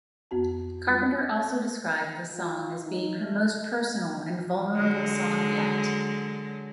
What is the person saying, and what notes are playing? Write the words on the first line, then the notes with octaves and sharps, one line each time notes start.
Carpenter also described the song as being her most personal and vulnerable song yet.
F2 B3 F#4 A5
G3 B3 F4
F4
D#4
A3
D3 F#3 G#3